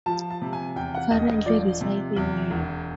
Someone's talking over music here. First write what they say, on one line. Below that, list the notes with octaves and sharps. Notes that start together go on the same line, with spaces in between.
He currently resides in New York.
F3 A5
A5
C3
G#5
E2 G5
F#5
E1 D#5
D#5
F3 D5
C3
E2
E1